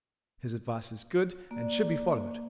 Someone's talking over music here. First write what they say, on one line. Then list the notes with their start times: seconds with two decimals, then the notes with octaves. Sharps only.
His advice is good, and should be followed.'
1.51 A#3 D4